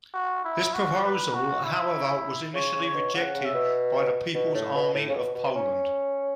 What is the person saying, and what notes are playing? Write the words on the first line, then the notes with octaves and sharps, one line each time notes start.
This proposal, however, was initially rejected by the People's Army of Poland.
F#4
E4
F#4
B4
F#4
E4
C#3 C#5
C#3
C#5
B2
C#3 F#5
C#3
E5
B2
B2
A2
B2
A2
C#3
B2
B2
C#4